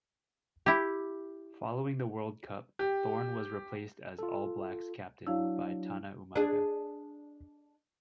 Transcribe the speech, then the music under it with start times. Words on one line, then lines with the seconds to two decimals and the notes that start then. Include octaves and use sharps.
Following the World Cup, Thorne was replaced as All Blacks captain by Tana Umaga.
0.66 E4 G4
2.79 G4
4.19 F4 A4
5.27 F#3 D4 E4 F5
6.36 D4 G#4